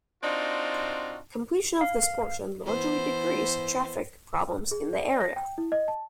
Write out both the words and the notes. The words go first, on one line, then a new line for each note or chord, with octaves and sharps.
Completion of this portion largely decreased traffic problems in the area.
C4 D4 D#4 F4 F#4
F5
E3 B3 C5
G#4
D5
A#6
G5
E4
D#5
A5